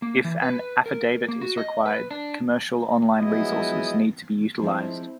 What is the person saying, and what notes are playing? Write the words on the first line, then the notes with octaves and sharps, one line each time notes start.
If an affidavit is required, commercial on-line resources need to be utilized.
A#3
E3
B4
A#4
A#3
F#4
D#5
B4
D4
F3 F#3 G#3 B3 E4 D#5
F3 G#3 C4 E4